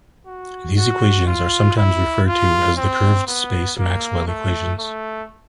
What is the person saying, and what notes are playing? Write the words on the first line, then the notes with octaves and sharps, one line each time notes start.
These equations are sometimes referred to as the curved space Maxwell equations.
F#4
F#4
F4
E4
F4
C4
B3
A#3
A3
A3